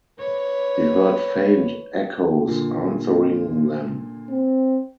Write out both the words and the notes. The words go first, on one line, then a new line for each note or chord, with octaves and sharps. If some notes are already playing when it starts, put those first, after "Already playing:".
He heard faint echoes answering them.
B4 C#5
A#2 D3
C4